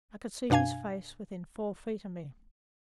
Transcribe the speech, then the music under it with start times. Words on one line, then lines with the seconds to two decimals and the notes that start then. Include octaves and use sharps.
I could see his face within four feet of me.
0.50 F#2 B2 D4 F5 G#5 G#6